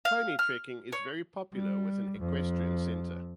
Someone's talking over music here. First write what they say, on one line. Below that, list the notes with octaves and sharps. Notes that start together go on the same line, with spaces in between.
Pony trekking is very popular with an equestrian centre.
F5
F6
C#5
G3
F2